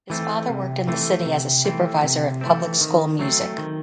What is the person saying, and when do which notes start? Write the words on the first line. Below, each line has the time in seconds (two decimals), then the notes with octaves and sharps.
His father worked in the city as a supervisor of public school music.
0.10 E3 A3 C4
0.49 C3
0.88 E3 A3 C4
1.26 C3
1.65 E3 A3 C4
2.03 C3
2.41 E3 A3 C4
2.81 D#3
3.19 F#3 A3 C4
3.58 D#3